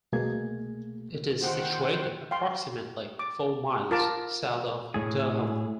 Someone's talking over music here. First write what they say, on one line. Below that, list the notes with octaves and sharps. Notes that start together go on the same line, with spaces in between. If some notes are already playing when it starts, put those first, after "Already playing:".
It is situated approximately four miles south of Durham.
C2 B2 A3 A#3 G#4 G#6
A#2 D#3 C5 F#5 G5
F5 G5 C6
D6
F4 A#4 A5 A#5 D6
A2 G#4